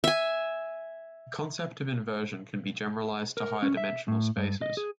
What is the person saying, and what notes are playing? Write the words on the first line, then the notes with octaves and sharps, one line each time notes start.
The concept of inversion can be generalized to higher-dimensional spaces.
E5 G#5
A#4
C#4
E5
A2
G2
D#5
G#4